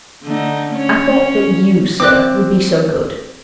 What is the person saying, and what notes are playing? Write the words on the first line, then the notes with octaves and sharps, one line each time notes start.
"I thought that you, sir, would be so good!"
D3 A3 D#4
C#4 C#5
C4 D6 F#6